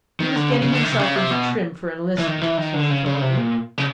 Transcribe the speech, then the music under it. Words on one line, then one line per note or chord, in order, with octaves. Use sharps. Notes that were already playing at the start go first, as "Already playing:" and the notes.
He was getting himself into trim for enlistment, so he told me.
D#3
D3
C#3
C#3
D3
D#3
C3
C#3
C3
B2
E3
D#3
E3
D#3
D3
C#3
C#3
C3
A#2
C#3